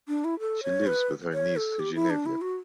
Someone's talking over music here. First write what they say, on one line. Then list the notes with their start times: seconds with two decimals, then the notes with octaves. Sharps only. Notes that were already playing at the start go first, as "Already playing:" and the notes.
She lives with her niece Geneviève.
0.08 D4
0.24 E4
0.40 A4
0.63 C#5
0.87 B4
1.33 C#5
1.56 A4
1.79 G4
1.95 E4
2.10 D4
2.26 E4
2.41 F#4